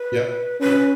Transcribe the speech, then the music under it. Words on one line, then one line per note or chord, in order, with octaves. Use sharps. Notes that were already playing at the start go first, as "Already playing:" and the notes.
Yep. Yeah.
Already playing: B4
C#4 B4